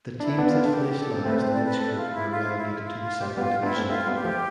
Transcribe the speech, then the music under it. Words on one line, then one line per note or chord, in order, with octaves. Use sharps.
The teams that finished last in each group were relegated to the second division.
D4 E4
B3 D4
F4
A4
G4
A4
A3 C4 B4
C5
D5
B4
A4
F4
E4
F4
E4
F4
F4
G4
G3 B3 F4
B3 D4 E4
A3 C4
A3 C4 F4
G3 B3
G4
F3 A3